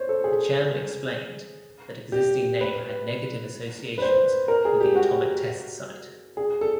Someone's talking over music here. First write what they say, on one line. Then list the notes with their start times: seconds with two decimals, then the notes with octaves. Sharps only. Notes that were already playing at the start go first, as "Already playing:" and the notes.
The Chairman explained that existing name had negative associations with the atomic test-site.
Already playing: C5 C#5
0.09 A4
0.24 G#4
2.12 G4
2.61 B4
3.98 B4
4.02 C5
4.48 A#4
4.65 G#4
4.80 G4
4.96 F#4
6.37 G#4
6.61 A4